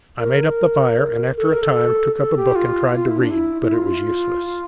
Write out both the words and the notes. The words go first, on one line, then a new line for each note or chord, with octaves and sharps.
I made up the fire, and after a time took up a book, and tried to read, but it was useless.
A#4
A4
A#4
A4
A4
G4
F4
F4
E4
D4
E4
E4
F4